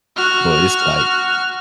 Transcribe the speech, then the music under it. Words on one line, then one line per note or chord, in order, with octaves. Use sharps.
but it's, like
F#4 F6